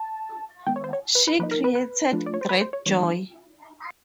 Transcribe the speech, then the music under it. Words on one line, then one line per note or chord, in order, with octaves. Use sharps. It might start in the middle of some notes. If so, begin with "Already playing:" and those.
She created great joy.
Already playing: A5
D#3 G#3 B3 G5
C#5
C5
C#5
B4
B4
F3 A#3 D#4 B4
A#4
B4
B4
F3 A3 D4 F4
D5
C#5
C5
B4
C5
C#5
E3 G3 A#3 D4 C#5